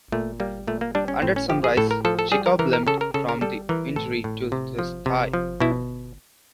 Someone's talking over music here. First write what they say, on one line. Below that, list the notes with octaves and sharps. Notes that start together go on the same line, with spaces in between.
And at sunrise, Jacob limped from the injury to his thigh.
A#2 A3
G3 A#3
A#2 A3
A#3
G3 D4
C#4
A2 C4
C#4
F3 G4
G#4
A2 A4
A#4
F3 A4
A4
G3 G#4
A#4
E3 A#4
A#4
C#3 A4
A#4
C#3 A4
A#4
G3 A4
E3 A#4
A2 A4
A2
C3
F3
C3
F3
B2 E4